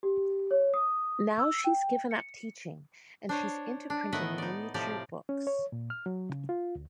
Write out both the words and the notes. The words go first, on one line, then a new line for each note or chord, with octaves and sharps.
Now she's given up teaching and she's into printing miniature books.
G4
C#5
D#6
E6
G5
C#7
D4 C5 C#5
D4
A2 D#3 B3 D#5 E5 F#5
D#4 D5
A2 C3 F3 G4 D5 A#5
C#4
C#5
A#2
F6
F#3
C#3
F4
D2